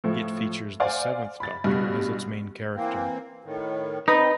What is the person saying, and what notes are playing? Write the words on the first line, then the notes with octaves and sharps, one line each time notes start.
It features the Seventh Doctor as its main character.
A2 F3
C5 D5 F5 F#5 G#5 F6
B5 A6
A1 G2 B2 F#6
E3 A#3 C4
A2 D#3
C4 D#4 B4